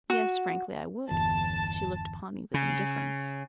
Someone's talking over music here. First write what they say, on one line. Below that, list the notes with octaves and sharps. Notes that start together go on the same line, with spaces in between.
Yes, frankly, I would. She looked upon me with indifference.
F#4
G1 E2 A5
C#3